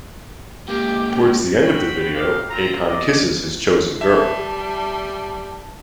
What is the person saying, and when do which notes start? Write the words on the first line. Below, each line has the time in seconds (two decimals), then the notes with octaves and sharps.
Towards the end of the video, Akon kisses his chosen girl.
0.68 G#2 A#3 G4
1.62 F#4 B4 C5 G5 B5
2.14 D#4 G4 F5
2.49 C4 F4 A#5
2.86 D5 D#5
4.01 G3 E5 A5